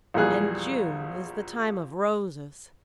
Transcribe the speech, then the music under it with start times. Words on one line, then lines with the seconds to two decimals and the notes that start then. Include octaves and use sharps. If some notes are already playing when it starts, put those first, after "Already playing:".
And June is the time of Roses.
0.14 A#1 E2 G3 G#4 F#6